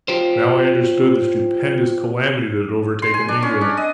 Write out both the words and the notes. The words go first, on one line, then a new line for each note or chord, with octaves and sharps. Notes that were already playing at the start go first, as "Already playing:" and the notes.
Now I understood the stupendous calamity that had overtaken England.
F4 G4 C5
C6
G#5
D4
C#4
D4
D#5